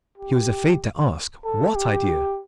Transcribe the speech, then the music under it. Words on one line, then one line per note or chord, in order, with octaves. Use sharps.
He was afraid to ask what idea.
G4
A4
G4